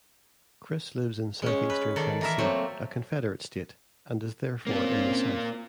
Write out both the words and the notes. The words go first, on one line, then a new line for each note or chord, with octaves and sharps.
Chris lives in southeastern Tennessee, a Confederate state, and is therefore in the South.
G#3 C#4
B4
D#3 A4 D5
E3 A#4 E5
F#3 A3 A#3 C4
A#3 C4 C#4 F4